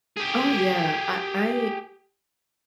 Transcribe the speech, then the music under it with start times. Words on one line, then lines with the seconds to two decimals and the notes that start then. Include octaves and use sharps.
Oh, yeah, I I
0.17 G4 G#4